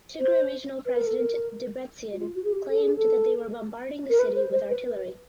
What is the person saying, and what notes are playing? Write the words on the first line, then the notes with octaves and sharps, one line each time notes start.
Tigray regional president Debretsion claimed that they were bombarding the city with artillery.
C5
B4
A#4
A4
A#4
F#4
F4
F#4
G#4
G4
A4
G#4
A4
A#4
B4
C5
C5
B4
B4